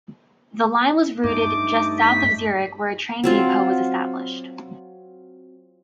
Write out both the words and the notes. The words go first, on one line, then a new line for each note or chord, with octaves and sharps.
The line was routed just south of Zurich where a train depot was established.
G2 A3 D#4 D6
B6
F#3 C4 F4